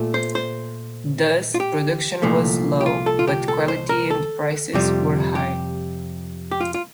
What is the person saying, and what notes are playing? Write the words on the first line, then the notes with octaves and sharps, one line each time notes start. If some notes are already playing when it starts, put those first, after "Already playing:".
Thus, production was low, but quality and prices were high.
Already playing: A#2 A3
C5
C5
F4
G4
C2 A#2 F3 A3
G4
F4
A4
F4
G4
A4
C5
A#4
A4
F2 C3 G3
G4
G4
F4
F4